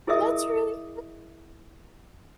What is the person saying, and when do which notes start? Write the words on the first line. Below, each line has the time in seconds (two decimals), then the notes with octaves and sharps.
Well, that's really
0.07 E4 G#4 A#4 D#5 E5 D#6